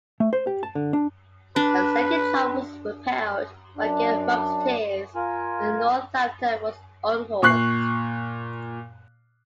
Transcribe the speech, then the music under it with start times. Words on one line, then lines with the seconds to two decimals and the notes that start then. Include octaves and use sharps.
A second charge was repelled by Gell's musketeers and Northampton was unhorsed.
0.20 A3
0.33 C5
0.47 G4
0.63 A5
0.75 D3
0.93 D4
1.56 D4 B4
3.77 F#2 D4
5.15 F4 A#4 G#5
7.42 A#2 C#6 F#6 C7